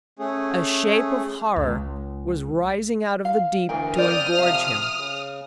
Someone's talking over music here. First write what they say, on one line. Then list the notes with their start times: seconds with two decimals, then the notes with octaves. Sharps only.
A shape of horror was rising out of the deep to engorge him.
0.19 A3 C#4 G#4
1.56 C#2
3.25 F5
3.69 D2 E3 G#4 A#4 G5
3.98 F2 D5 D#6 F6 G6
4.39 C3 F3 F5
4.98 C#3